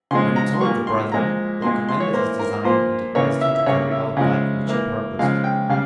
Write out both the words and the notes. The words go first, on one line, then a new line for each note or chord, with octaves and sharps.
When he told the brethren, they commended his design, and advised him to carry out that which he purposed.
C#3 F3 G#3 C6
A#5
C6
A#2 G3 A#3 C#6
C6
A#2 F3 G#3 A#5
A#2 G#3 C6
C6
C#5
E3 A#3 C5
A#4
A#2 F3 A#3 C5
C#3 E3 A#3 C#5
E5
E5
C#3 G3 A#3 C#5
E5
C#3 F3 G#3
E3 A#3
C#3 F3 G#3 F5
G5
C#3 G3 F5